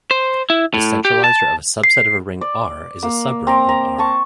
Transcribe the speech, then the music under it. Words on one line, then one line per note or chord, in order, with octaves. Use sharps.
The centralizer of a subset of a ring "R" is a subring of "R".
C5
E4
A2
G4
A5
C7
D5
A#3
C4 A#5 D6
A#5
F5 A5 C#6